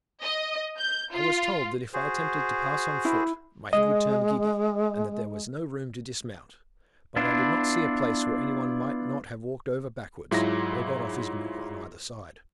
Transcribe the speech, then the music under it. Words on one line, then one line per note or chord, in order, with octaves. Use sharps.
I was told that if I attempted to pass on foot, my head would turn giddy, and that there was no room to dismount; but I did not see a place where any one might not have walked over backwards, or got off his mule on either side.
D#5
G6
F4
F#4 G#4 C5
E4
G#3 D#5
B3 D4 E4 F4
G#2 F#3 E4 F4 G#4 A#6